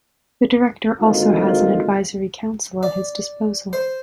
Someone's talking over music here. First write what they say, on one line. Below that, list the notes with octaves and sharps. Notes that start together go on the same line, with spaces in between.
The director also has an advisory council at his disposal.
G#1 D2 A#3 D#4 F4
D5
C5